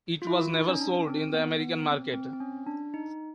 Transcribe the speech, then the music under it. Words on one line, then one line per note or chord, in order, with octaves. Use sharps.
It was never sold in the American market.
F4
E4
D#4
C#4
D4
C4
B3
B3
C4
C4
C4
C#4
D4
D#4